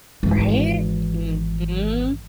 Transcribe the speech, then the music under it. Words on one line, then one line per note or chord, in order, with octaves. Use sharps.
Right? Mhm.
G#1 E3